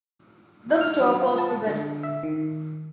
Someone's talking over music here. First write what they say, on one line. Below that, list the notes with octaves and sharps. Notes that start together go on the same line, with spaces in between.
Bookstore closed for good.
F6
F#3
F4
A5
D3
E5
D#3